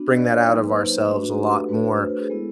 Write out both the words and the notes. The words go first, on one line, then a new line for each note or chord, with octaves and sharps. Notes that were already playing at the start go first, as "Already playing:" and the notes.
bring that out of ourselves a lot more,
Already playing: B3 D4 F#4
D#5
D5
C#5
F#3 A#3 D#4
B4
C5
C5
A3 D4 F#4 B4
F#4
G4
A4
A3 D4 F#4 B4
C5
B4
A4
G#4
G#3 B3 E4 A4